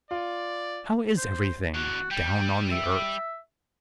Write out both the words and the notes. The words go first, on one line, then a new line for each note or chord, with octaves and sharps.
"How is everything down on the earth?"
F4 D5
C5
E2 D3 F#4
G3 G5
E5